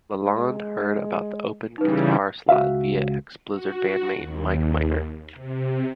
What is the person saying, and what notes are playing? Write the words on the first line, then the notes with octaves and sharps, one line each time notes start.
LaLonde heard about the open guitar slot via ex-Blizzard bandmate Mike Miner.
G#3
C#3 E3 G3 D#4 B4
C#2 F#4 E5 F5
F#4
D#2
C3